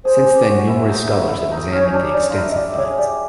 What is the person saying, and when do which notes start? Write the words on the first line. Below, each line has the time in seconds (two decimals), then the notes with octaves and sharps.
Since then numerous scholars have examined the extensive finds.
0.05 G#4 C5
0.26 G4
0.46 F#4
0.67 E4
0.89 D#4
1.10 E4
1.31 E4
1.52 D#4
1.72 C#4 C#5
1.93 D4
2.10 C#5
2.14 D#4 D5
2.30 F4
2.35 E4
2.51 D#5
2.57 G4 D5
2.78 G#4 C#5
2.98 G4 D5